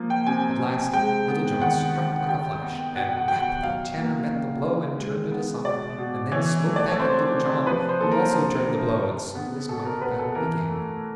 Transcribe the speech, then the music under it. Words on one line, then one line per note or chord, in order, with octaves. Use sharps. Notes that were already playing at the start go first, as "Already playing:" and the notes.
At last Little John struck like a flash, and--"rap!"--the Tanner met the blow and turned it aside, and then smote back at Little John, who also turned the blow; and so this mighty battle began.
Already playing: F3 A#3
G5
C3 G#5
C3
G#3 G5
B3
D#3 F#5
D#3
G3 G5
B3
B2 F#5
G5
F#5
B2 G5
F#5
F#3 F5
A#3
C#3
C#3
G#3
B3
B2 D5
B2
E3 C#5
A3
D5
C#5
C3 C5
C3
F3 B4
C5
A#3 A4
A#4
D3
D3
G3
B3
B2 A4
A#4
B2 B4
A4
E3 A#4
A3